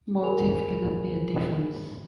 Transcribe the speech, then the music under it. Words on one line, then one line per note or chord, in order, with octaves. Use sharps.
Motive cannot be a defense.
G#4 A#4 C5 G#5 B5 F7